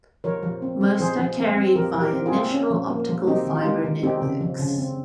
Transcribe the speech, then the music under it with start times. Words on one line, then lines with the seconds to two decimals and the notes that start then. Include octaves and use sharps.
Most are carried via national optical fibre networks.
0.24 F3 A#4 C#5
0.43 F3
0.62 C4
0.81 C4
1.00 F3 G#4 C5
1.19 F3
1.37 C4
1.57 C4
1.75 F3 G4 A#4
1.95 F3
2.00 G4 A#4
2.13 C4
2.26 F4 G#4
2.32 C4
2.51 C#4
2.71 F3
2.90 A#3
3.09 F3
3.27 C4 D#4 G4
3.47 D#3
3.55 F4
3.65 G#3 D#4 G4
3.84 D#3
4.03 C4 D#4 G4
4.22 C#3
4.41 F3
4.60 C#3
4.79 C4